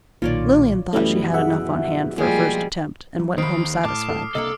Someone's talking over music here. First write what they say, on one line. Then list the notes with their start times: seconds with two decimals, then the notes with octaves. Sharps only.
Lilian thought she had enough on hand for a first attempt and went home satisfied.
0.22 B1 A#2 D#3 F4 C#5 D5
0.93 F#2 B2 E3 G3 A3 C#4 B4
1.34 G#4 E5 F#5
2.18 F3 G3 G#3 A#3 F4 G#4
3.20 F#3
3.38 D#2 D#3 C5 B5 D#6 C7 D7
3.85 A2 A5 D6 F6
4.10 A4
4.35 C2 D3 A#3 A4 D#5 E6